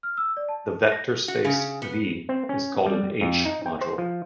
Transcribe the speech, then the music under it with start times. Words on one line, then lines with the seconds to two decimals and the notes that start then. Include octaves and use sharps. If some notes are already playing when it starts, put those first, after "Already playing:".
The vector space "V" is called an "H"-module.
0.03 F6
0.17 E6
0.37 D5
0.49 A5
0.92 A#6
1.28 F#4
1.44 C#3
1.82 B3
2.29 C4
2.49 C#4
2.86 G3
3.21 F2
3.45 D#4
3.66 G5
3.81 C5
3.98 F3